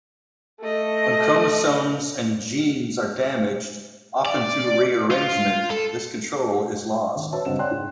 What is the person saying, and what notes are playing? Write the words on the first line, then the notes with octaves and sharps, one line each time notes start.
When chromosomes and genes are damaged, often through rearrangement, this control is lost.
A3 D#5
D5
F4
A4
G#1
F#4 B4 C#5 E5 A5 E6
G2 C#3 C4 D#5 F#5 E7
C#5 D5 F#5 G5 C6 F#6
G#2